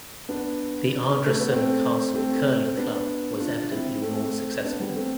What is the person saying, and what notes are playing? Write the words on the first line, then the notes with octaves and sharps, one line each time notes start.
The Ardrossan Castle Curling Club was evidently more successful.
B3 D4
A3
B3
A3 C4
A3 C4
B3 D4
D4 F4
C4 E4
A3 C4
B3 D4
G3 B3
A3 C4